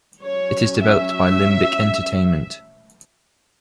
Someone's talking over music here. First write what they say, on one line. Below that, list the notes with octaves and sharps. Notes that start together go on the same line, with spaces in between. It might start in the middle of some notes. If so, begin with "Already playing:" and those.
It is developed by Limbic Entertainment.
F#3 C#4 C#5
E5